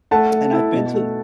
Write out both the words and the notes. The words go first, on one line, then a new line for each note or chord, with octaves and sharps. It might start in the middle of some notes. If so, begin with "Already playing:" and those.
And I've been to
A3 F#5 A5
A3
E4
B2
A3